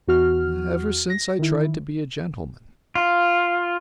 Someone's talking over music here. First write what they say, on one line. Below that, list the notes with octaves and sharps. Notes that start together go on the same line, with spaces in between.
"Ever since I tried to be a gentleman."
E2 F#4 F6
A#6
D#3 E4
F4